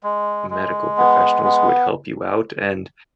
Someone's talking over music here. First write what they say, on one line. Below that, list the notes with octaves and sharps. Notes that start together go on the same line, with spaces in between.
medical professionals who would help you out, and
G#3
G#3
B3
B3